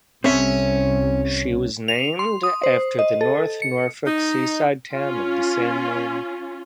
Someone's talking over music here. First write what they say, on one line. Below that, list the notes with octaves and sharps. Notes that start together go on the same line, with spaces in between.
She was named after the North Norfolk seaside town of the same name.
C2 C3 C4 C#4 A4 E5
F7
C6
D#6
C5
D#5
A4
C#7
D#4
C#4 F4